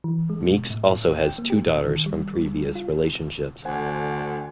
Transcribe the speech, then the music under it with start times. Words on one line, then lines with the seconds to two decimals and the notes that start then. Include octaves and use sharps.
Meeks also has two daughters from previous relationships.
0.04 E3
0.30 G#3
0.51 B2
0.70 A2
1.22 G5
1.38 A#3
1.50 G4
1.67 A#2
1.84 D#3
2.06 G3
2.34 G3
2.75 F4
3.65 D2 D3 C5 F#5 G#5